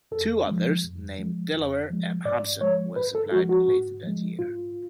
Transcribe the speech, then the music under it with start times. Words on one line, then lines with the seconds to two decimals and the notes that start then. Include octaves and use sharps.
Two others, named "Delaware" and "Hudson" were supplied later that year.
0.11 F2 A4
0.47 F3 G#3
0.83 F2
1.18 F3 G#3
1.54 F2
1.90 F3 G#3
2.25 G#2 D5
2.61 F3 G#3 C#5
2.96 G#2 B4
3.15 A4
3.32 F3 G#3 F#4
3.49 F#4
3.67 G#2
4.03 F3 G#3
4.39 G#2 F4